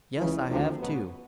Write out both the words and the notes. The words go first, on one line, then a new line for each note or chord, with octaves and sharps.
Yes, I have, too!
C#2 C#3 E3
D2 C3 F3
C#2 B2 F#3 B3